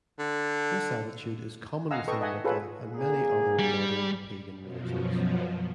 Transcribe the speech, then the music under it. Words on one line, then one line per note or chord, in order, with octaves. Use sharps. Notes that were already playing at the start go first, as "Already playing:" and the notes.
This attitude is common within Wicca and many other modern pagan religions.
D3
D#5 F5 F#5 G#5 A#5 E6
A4 B4 D#5 G5 C#6
D#5 E5 F#5 G#5
F4 G#4 A4 B4 C#5
E2 A#3 G#4
G3
F#2 B2 F3 F#3